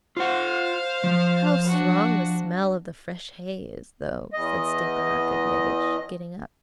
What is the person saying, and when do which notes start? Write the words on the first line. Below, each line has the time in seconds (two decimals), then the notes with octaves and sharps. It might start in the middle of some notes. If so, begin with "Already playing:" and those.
"How strong the smell of the fresh hay is, though," said Stepan Arkadyevitch, getting up.
0.17 F4 C5 F5 F#5
1.04 F3
1.67 D4 F#4
4.33 E2 D#5